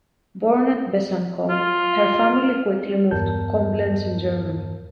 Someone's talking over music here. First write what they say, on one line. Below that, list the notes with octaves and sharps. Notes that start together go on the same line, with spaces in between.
Born at Besançon, her family quickly moved to Coblence in Germany.
F4
E2 G2 A#4 A5 G6